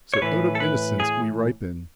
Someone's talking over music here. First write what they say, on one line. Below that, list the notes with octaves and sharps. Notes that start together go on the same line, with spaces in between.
So out of innocence we ripen.
C#5
A2 E3 B4
A4
B4
G#4